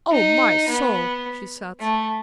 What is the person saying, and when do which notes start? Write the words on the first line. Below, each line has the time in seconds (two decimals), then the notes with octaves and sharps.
"O! my soul!" she said.
0.12 D#4
0.68 B3
1.80 A3